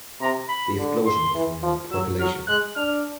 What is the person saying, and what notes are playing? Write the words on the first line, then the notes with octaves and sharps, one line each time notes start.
The explosion is in our population.
C3 A#5
B5
D3
C6
E3
F3
F#3 E6
F#3 F6
G#3 F#6
D4 F6